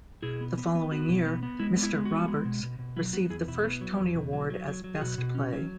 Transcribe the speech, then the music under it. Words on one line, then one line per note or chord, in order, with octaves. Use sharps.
The following year "Mister Roberts" received the first Tony Award as Best Play.
B2 E4 G#4
B3
B3
B3
B3 F#4
B2
B3
B3
G#3 E4
B3
E4
G#3
F#4
B3
G#3
B2
B2
B2
F#3 E4
B3 F#4
E2 E4 G#4
B2 E4
B3
F#3
E2
B2
F#3
F#3
F#3
F#3
G#4
B2 F#4
B2
C#4
F#3